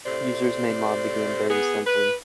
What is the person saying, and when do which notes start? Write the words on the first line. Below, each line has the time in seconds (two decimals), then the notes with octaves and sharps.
Users may mod the game very simply.
0.06 A2 C3 C5 D5
1.50 B3 G#4
1.87 B4